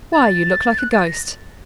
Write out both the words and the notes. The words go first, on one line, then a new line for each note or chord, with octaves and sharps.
'Why, you look like a ghost.
A6
F#6
A6
A#6